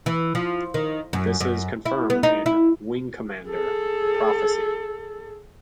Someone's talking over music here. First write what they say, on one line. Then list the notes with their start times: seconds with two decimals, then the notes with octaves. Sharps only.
This is confirmed in "Wing Commander: Prophecy".
0.06 E3
0.35 F3
0.74 D#3
1.13 F#2
1.40 F#2
1.86 E4
2.10 B3
2.23 D#4
2.46 E4
3.47 G#4 A4